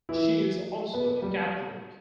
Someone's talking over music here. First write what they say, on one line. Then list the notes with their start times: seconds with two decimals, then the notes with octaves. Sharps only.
She is also a Catholic.
0.09 E3 E4
0.94 B3 B4
1.22 G3 G4